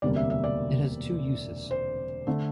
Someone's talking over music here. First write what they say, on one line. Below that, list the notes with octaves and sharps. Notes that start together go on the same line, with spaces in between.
It has two uses.
E1 D2 C3 G3 A#3 D5
E5
E5
D5
C5
D3 A3